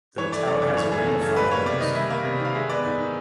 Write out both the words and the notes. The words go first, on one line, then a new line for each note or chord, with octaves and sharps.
The tower has a ring of five bells.
E3 C#5
A3 D5
F#2 D5
C#3 D5
E3 C#5
A3 G#4
F#2 A4
C#3 A4
G3 B4
A#3 C#5
C3 D5
D#3 D#5
G3 E5
A#3
C3
D#3
F5
G#3 E5
B3 D5
G#2
D#3